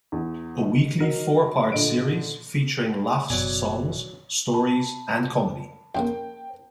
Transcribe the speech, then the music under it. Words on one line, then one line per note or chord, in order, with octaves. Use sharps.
A weekly four-part series featuring Lach's songs, stories and comedy.
E2
D#3
D#3 F#3 D#4 A#4
A#2 D3 D#5 D7
F#1 B2 F#3 D5 G#5
A5 B5
F2 C#3 A#3 G5